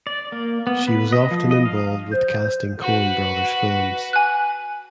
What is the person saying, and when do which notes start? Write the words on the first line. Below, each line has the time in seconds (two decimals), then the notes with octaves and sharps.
She was often involved with casting Coen brothers films.
0.07 D5
0.32 A#3
0.67 B3
0.88 B4
1.12 D#5
1.31 F3
1.51 D#5
1.65 F5
2.13 C5
2.82 F#4 B4
4.13 G#5 F#6